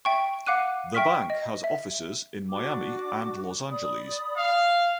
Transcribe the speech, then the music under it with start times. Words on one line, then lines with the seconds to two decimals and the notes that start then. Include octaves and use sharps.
The bank has offices in Miami and Los Angeles.
0.05 E5 G5 C#6
0.46 F5 F#5 D6 F#6 D#7
0.95 E5 G5 C#6 F6 B6
1.30 D#5
1.64 E5
2.49 D4 F#4 D6
3.69 D5 B5 D#6
4.37 F5